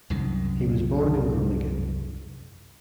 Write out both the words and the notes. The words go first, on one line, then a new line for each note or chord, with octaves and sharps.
He was born in Groningen.
C2 F#2 D#3